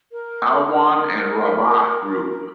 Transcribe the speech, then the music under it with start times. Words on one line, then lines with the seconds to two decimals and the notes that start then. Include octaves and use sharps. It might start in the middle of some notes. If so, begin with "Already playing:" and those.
Alwan And Rabaa Group.
0.12 A#4
2.30 A#4